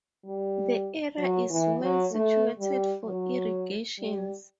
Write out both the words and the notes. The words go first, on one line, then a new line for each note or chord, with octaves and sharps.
The area is well suited for irrigations.
G3
F#3
E3
F#3
A3
G3
F#3
G3